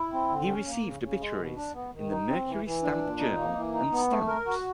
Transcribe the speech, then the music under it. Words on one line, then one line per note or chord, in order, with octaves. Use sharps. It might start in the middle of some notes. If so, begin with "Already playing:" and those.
He received obituaries in the "Mercury Stamp Journal" and "Stamps".
Already playing: E4
C4
D3
C#4
A#3
C#3
C#3
G#3
B2
D4
B3
D#3
D#4
C4
E3
E3
D4
A#2
D#4
A#3
E3
D#4
B3
A3
A#4
F#4